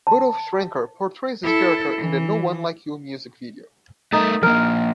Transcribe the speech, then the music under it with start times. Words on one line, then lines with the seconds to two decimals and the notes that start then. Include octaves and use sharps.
Rudolf Schenker portrays this character in the "No One Like You" music video.
0.07 A5
1.43 E4 A4
1.97 E3
4.13 A3 D#4 A4 A#4
4.43 F3 A#3 A#4